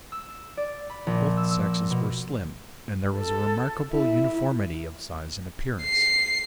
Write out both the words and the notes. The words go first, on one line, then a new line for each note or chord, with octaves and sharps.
Both sexes were slim, and there was a remarkable uniformity of size and appearance.
E6
D5
B5
A#1
E6
E6
B2
A4
E4
C7